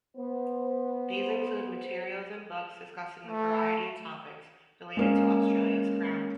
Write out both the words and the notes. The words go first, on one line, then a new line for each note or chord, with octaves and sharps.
These include materials and books discussing a variety of topics related to Australia's Crown.
B3 C5
A3
G#3 A#3 C#4